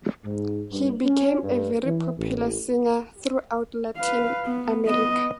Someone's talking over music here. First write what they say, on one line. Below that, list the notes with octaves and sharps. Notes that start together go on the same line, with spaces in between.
He became a very popular singer throughout Latin America.
G#2
G2
C#4
G2
E3
A1
B4 F5
B3
B3 D#5